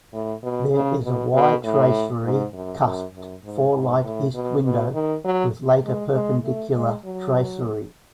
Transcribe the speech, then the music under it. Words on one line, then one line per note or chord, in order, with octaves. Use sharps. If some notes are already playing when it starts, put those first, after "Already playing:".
There is a 'Y' tracery, cusped four-light east window with later perpendicular tracery.
A2
B2
C#3
B2
B2
A2
G#2
F#2
F#2
F#2
G#2
G#2
A2
B2
B2
D#3
F#3
G#3
G#3
A3
G#3
F#3